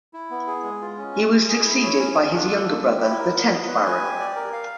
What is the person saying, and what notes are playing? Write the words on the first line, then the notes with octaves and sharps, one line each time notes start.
He was succeeded by his younger brother, the tenth Baron.
E4
B3
G#4
G#3
F4
C#4
G#3
G#3
G#4
E4
C#5
C#4
F4
D4
A4
A#3
G4
E4
A#4
B3
D#5
B4
G#5
G4
D5
A#4
F5